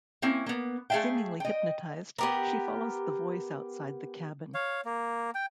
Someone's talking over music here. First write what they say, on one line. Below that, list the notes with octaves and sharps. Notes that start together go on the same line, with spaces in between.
Seemingly hypnotized, she follows the voice outside the cabin.
A#3 C4 C#4 E4 G#5
A#3 B3
A3 G#4 D5 E5 F5 G5
D#5 G5
B3 G4 A#4
C#5 F5
A#3
G5